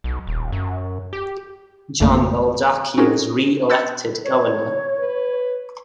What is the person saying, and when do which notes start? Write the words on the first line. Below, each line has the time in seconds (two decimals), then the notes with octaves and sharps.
John Baldacci was reelected governor.
0.04 B1
0.27 D#1
0.52 F#2
1.13 G4
2.00 G#1 F2 C#3 A3 A#3
2.98 C4 C#4 D#4 F#4 G#4 A#4
3.69 B5 E6 F#6 G6 A6 C#7
4.24 C#5
4.99 B4